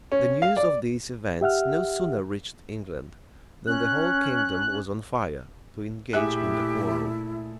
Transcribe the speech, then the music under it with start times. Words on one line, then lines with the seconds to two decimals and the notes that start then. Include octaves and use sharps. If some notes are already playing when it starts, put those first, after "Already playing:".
The news of these events no sooner reached England, than the whole kingdom was on fire to engage in the quarrel.
0.12 C#4
0.42 F5
0.57 D5
1.41 G4 E5 F#5 F6
3.67 C#4 F#6
6.13 A#2 A3 E4 G4 G#4 E5 F#6